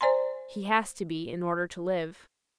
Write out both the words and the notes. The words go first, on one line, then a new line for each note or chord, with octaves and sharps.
He has to be, in order to live.
C5 D5 G#5 A#5 C6